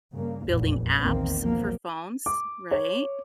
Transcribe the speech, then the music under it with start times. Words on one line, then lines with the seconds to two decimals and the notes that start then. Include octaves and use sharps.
building apps for phones, right?
0.13 G2 C#3 A#3
0.48 F1 A#1 E2 A#2
1.00 A#1 E2 D#3 A#3 C4
1.42 B1 F3 F#3 A#3
2.26 D6
2.71 C#5